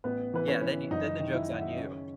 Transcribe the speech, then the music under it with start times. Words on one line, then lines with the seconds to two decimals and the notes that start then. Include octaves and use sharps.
Yeah, then then the joke's on you.
0.04 A1 B3 B4
0.34 E3 B4
0.48 C#4 C#5
0.62 E3
0.91 F#1 D#4 D#5
1.20 D#3
1.33 E4 E5
1.48 D#3
1.53 F#5
1.61 E5
1.69 D#5
1.77 C#3 C#4 C#5